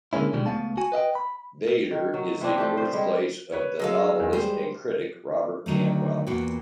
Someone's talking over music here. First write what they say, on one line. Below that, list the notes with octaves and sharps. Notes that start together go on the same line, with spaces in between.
Vader is the birthplace of the novelist and critic Robert Cantwell.
D3 G#3 A#3 C#4 E4
B2 D3 D#3 F3 G3 G#3
C#2 A#2 A3 B3 F5 A5
F#4 G#5
B4 D#5 E5 G5
B5
D#3
F#3
E3 C4 D4
F3 A3 D4 G4
C5
G3 G#3 E4
B4 C#5
F#3 G#3 A4 F5
E2
G3 G#3 C5
D3 D#3 F#3 A3
E2 A#2 B3 F#4 G5